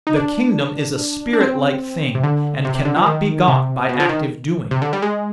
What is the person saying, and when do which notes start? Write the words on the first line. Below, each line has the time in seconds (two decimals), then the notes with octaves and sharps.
The kingdom is a spirit-like thing, and cannot be got by active doing.
0.07 D#4
0.16 D4
1.33 D4
1.40 C4
2.15 C3
2.24 D3
2.65 C3
2.75 C3
2.85 D3
2.96 F3
3.06 D#3
3.48 C3
3.89 B2
4.00 F3
4.09 D#3
4.71 C3
4.82 D3
4.93 G3
5.02 G#3